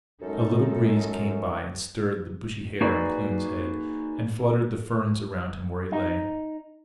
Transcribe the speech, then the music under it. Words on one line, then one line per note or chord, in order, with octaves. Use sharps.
A little breeze came by and stirred the bushy hair on Kloon's head and fluttered the ferns around him where he lay.
F#2 G#3 D#4 A4
A#3 D#4 F#4 G#4 B4 D5
D#4